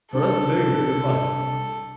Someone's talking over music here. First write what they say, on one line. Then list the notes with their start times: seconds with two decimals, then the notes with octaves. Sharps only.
well, that's the thing 'cause it's, like
0.13 C2 D4 A4 A5